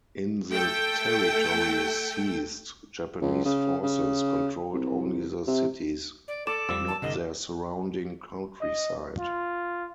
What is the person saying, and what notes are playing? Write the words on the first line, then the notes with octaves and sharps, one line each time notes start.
In the territories seized, Japanese forces controlled only the cities, not their surrounding countryside.
A3 A4 G5
C#2
C#3
C#3
C2
C3
D5
A4 D5 E7
F2 F3 G3 E6
A5
C2 G2 D3 D#5
D#5
F4